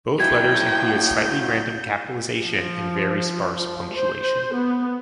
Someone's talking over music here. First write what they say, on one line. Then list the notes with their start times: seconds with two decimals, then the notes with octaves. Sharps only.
Both letters included slightly random capitalisation and very sparse punctuation.
0.20 F#3 E4 G5 G#6
1.22 G6
2.44 F3
3.94 C5
4.55 B3